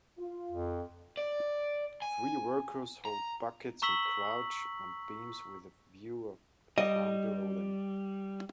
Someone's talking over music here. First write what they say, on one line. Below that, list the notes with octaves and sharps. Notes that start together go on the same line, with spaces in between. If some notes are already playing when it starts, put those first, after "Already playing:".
Three workers hold buckets and crouch on beams with a view of a town below them.
F4
F2
D5
G#5
A#5
A#5 C#6 E6 B6 F#7
G3 D#5